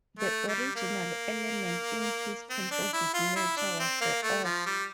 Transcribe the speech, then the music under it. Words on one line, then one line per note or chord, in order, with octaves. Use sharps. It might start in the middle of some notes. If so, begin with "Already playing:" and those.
The original element in his composite nature was the oak.
A3
G3
A#3
C4
D4
E4
F4
E4
D4
C4
A#3
A3
F3
G3